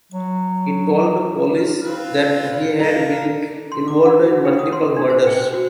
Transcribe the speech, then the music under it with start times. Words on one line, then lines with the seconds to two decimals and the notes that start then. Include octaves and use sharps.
He told police that he had been involved in multiple murders.
0.12 F#3
1.57 F6
1.84 C4 F4 B4
2.79 D4 A4 A#4 F5 A#5
3.72 C6
3.88 D6
4.05 F#5
4.24 F#4
4.45 G5
4.59 D#6
4.73 C6
4.97 D4
5.10 C5
5.27 G5
5.39 C5
5.54 F#4